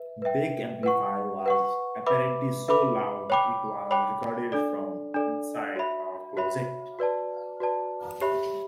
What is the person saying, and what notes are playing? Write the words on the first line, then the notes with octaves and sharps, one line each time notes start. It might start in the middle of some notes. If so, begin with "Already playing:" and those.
Beck's amplifier was apparently so loud, it was recorded from inside a closet.
Already playing: B4 E5
B4 E5 G5
B4 F#5 C#6
B4 F#5 C#6
B4 E5 B5 D6
B4 E5 B5 D6
C#5 G5 B5 D6
C#5 G5 B5 D6
D4 A4 D5
D4 A4 D5
F#4 C#5 E5 B5
F#4 C#5 E5 B5
F#4 B4 D5 A5
F#4 B4 D5 A5
G4 C#5 E5 B5